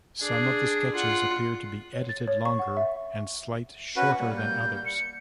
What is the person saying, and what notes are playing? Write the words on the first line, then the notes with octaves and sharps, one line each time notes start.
Some of the sketches appear to be edited longer and slight shorter than others.
D4 G#4
F4 F#5
C#5
A6
C#5
C#6
F#5
E5
C#4 F#4 B4 F#5
G3 A#3
G6
C#7